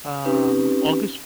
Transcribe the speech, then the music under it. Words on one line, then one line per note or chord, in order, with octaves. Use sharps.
um August
C4 C#4 D#4 G4 B4